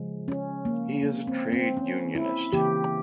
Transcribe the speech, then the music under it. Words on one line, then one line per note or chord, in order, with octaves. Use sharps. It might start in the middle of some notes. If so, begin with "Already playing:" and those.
He is a trade unionist.
Already playing: C#3 F3 G#3
C#4
A#3
A#3
C4
C4
C#4
E4
C#3 E3 A#3 G4